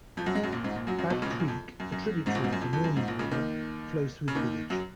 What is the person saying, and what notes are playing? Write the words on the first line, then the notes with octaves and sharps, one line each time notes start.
Bad Creek, a tributary of the Maumee River, flows through the village.
F2 F3
F#2 F#3
G#2 G#3
F#2 F#3
A#1 A#2
G#1 G#2
A#1 A#2
F#2 F#3
F#2 F#3
B1 B2
C#2 C#3
A#1 A#2
F#2
F2
F#2
F#2
G#1 G#2
A#1 A#2
G#1 G#2
F#2
F2
F2
F#2
G#1 G#2
A#1 A#2
C#2 C#3
D#2 D#3
C#3
D#2 D#3
F#2 F#3